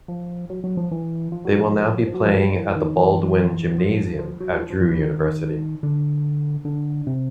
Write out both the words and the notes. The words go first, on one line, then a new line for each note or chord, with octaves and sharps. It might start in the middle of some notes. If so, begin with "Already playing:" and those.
They will now be playing at the Baldwin Gymnasium at Drew University.
F3
F#3
F#3
F3
E3
F3
F#3
F3
F3
F#3
F3
F#3
E3
D#3
E3
F3
F3
F#3
F3
F3
F3
E3
D#3
D3
D3
C3